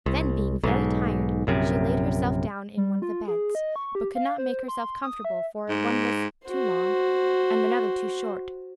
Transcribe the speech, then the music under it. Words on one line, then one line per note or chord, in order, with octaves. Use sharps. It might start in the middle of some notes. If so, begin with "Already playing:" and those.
Then, being very tired, she laid herself down in one of the beds, but could not make herself comfortable, for one was too long, and another too short.
C2
B1 G#2
A#1 F#2 C3
G3
F4
G#4
D#5
C#6
G4
F5
C5
C6
D#6
E5
G#2
F#4 C5